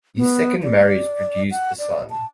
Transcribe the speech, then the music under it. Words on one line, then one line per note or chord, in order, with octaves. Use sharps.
His second marriage produced a son.
B3
D5
F#5
D5
A5